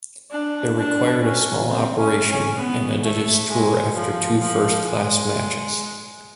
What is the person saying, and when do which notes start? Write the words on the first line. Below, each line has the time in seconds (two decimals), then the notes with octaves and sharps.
It required a small operation and ended his tour after two first class matches.
0.31 D4
0.76 D4
1.21 C#4
1.68 C4
1.97 C#4
2.28 C#4
2.58 B3
3.03 A3
3.49 G#3
3.95 F3
4.40 F3
4.86 G#3